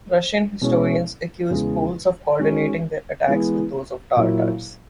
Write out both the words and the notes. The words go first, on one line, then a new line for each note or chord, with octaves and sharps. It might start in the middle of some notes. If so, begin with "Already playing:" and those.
Russian historians accuse Poles of coordinating their attacks with those of Tatars.
B2 G#3 C#4 E4
E2 C#3 G#3
D#3 G#3 C#4 F#4 C#5
E3 G#3 B3
A#2 F#3 A#3 E4